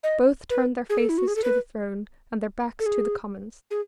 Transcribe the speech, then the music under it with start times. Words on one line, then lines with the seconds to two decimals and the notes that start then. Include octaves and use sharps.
Both turned their faces to the throne, and their backs to the Commons.
0.04 D#5
0.50 B4
0.90 G#4
0.98 A4
1.09 E4
1.18 F#4
1.28 G#4
1.36 A4
1.44 B4
2.80 A4
2.86 G#4
3.71 G#4